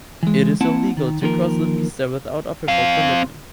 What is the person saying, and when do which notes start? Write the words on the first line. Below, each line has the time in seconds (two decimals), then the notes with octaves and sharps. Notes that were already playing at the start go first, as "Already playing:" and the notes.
It is illegal to cross the vista without official permission.
0.23 E3 G#3
0.61 A#3 C4 E4 F#5 A5
0.97 D#3
1.22 D#3 F3 A#3 A#4
2.68 C4 F5